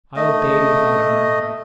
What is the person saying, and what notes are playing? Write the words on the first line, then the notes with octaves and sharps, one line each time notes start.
I obeyed without a murmur.
A3 D#5